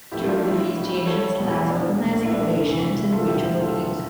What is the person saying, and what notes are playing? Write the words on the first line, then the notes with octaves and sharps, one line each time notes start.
During the feast the ancient Slavs organized libations and ritual meals.
A1 A2 F3 A3 E4 G4
D4 F4
E4
C#2 C#3 G3
A4 C#5
E1 E2 E3
D4
A#1 A2 F3
E4
D4
F1 F2 E3 A3
E4
F4 A4
E1 D2 D3 F3 A3 E4 G4
F4 A4
C#3 F3